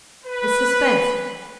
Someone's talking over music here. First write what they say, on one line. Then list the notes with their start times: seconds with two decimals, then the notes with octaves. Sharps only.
This suspense!
0.24 B4